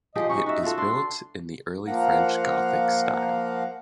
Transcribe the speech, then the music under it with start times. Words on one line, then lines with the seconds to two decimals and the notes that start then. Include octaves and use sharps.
It is built in the early French Gothic style.
0.15 F3 G4 G#4 D#5
0.30 C#4 D#4 C#6
0.46 D#4 F#4 E5
0.63 F4 F#4 A4
0.78 D4 C6
1.87 F3 A#3 F5 F#5 A#5